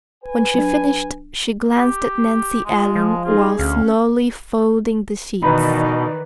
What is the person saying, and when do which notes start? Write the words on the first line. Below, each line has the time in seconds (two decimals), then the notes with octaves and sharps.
When she finished, she glanced at Nancy Ellen while slowly folding the sheets.
0.24 B4 G#5
0.54 F#3 D4
1.78 G4
2.65 G#3 F4
2.96 F3
3.25 D#4 F4 G#4
3.59 D2 C#4 F5
5.43 B2 D#3 E3 D#4 B4 D5 A#5 B5